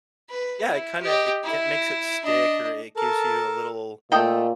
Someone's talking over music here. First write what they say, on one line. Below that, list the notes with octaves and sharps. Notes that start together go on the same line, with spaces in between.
Yeah, it kinda it it makes it stick, or it gives you a little
B4
E4
G4 D#5
E4
D4 D#5
A4 A#4 A5
A#2 A3 A4 D#5 G5